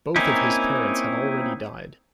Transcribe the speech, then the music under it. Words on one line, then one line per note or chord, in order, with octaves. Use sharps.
Both of his parents have already died.
A#3 C4 C#4 D#4 E4